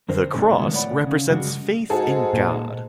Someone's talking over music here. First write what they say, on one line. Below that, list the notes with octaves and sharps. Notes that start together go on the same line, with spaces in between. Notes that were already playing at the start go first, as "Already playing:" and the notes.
The cross represents faith in God.
F2 D3 A#4 C5
G#2 C3 G#3 A3 D4
D#3 E3 F#3 G#3 B3 F4
A2 B4 C#5 D5 F#5 B5
C#3
F#2 C#3 F3 G3 G#3 F#4
G#2 F#4 G#4 A4
A#2